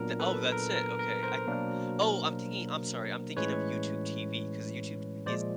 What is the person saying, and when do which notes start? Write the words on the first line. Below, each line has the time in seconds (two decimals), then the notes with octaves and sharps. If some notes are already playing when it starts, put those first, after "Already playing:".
The oh, that's it, okay. I thought Oh, I'm thinking I'm sorry, I'm thinking of YouTube TV, 'cause YouTube TV is it
Already playing: A#2 F#3 B3 D4 A#4
0.19 A4 B4
0.52 A#4
0.76 A#4
0.99 A#4
1.23 A#4 C5
1.47 B2 F#3 A#3 D4
3.36 A2 E3 G#3 C#4 B4 C#5
5.26 A#2 F3 G#3 C5 D5